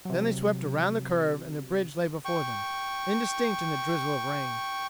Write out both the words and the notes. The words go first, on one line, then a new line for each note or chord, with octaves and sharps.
Then they swept around the curve and the bridge lay before them, indistinct in the drizzle of rain.
C3 F#3
G5 C#6